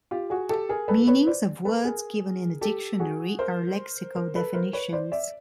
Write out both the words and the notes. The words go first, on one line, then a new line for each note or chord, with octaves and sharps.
Meanings of words given in a dictionary are lexical definitions.
F4 G4
F#4 G#4
G4 A4
G#4 A#4
A4 B4
B4 C#5
C5 D5
A4 B4
G#4 A#4
G4 A4
F#4 G#4
A#4 C5
A#4 C5
A4 B4
A#4 C5
B4 C#5
C5 D5
D5 E5